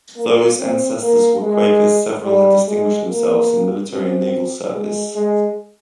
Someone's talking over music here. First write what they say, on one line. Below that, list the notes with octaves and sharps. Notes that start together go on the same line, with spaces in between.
Though his ancestors were Quakers, several had distinguished themselves in military and naval service.
A#3
C4
A#3
G#3
G3
G#3
A#3
C4
G#3
G#3